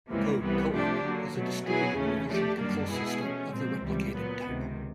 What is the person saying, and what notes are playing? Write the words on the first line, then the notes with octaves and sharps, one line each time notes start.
Code Co-op is a distributed revision control system of the replicated type.
C#2 C3 E3 G3 A#3
C2 C3 E3 G3 B3
C3 F3 A3 D4 G4
D3 F#3 A#3
B2 F#3 A3
B2 F#3 B3 E4 G#4
D#2 C#3 E3 A3 C#4
F3 A3 D4 G4
F#2 D#3 G3 A#3 D4
B2 G#3 B3 E4 G#4
F3 A3 C#4
A#2 F3 G#3 C4
C#2 C3 E3 G3
A#2 F#3 B3
C#2 C3 D#3